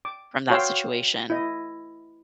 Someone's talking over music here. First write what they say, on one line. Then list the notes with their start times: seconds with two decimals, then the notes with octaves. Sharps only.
from that situation.
0.05 D6
0.50 F#4 C#5 F5 G5 C6 E6
1.30 E4 D#5